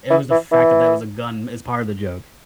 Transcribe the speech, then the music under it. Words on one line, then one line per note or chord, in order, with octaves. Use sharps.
It was the fact that there was a gun as part of the joke,
E3
E3
E3